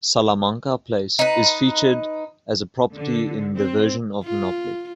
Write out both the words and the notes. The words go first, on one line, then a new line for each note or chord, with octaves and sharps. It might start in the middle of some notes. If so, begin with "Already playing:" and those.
Salamanca Place is featured as a property in the version of Monopoly.
D#4 B4
D3
C4
F4